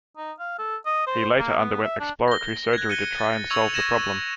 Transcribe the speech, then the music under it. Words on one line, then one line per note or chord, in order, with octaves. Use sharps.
He later underwent exploratory surgery to try and solve the problem.
D#4
F5
A4
D#5
C5
A#3
B3
E5
D4
A#6 G7
F#6 G#6
C#7 D#7 G7
A6
C#6 E6 G#6 F7
G#6 A#6 E7 F#7